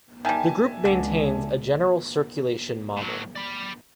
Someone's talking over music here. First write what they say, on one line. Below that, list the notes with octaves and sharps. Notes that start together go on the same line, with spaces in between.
The group maintains a general circulation model.
D#3 G3 E5 G#5 A5
C#2 D3
A2 F#3
D5 B5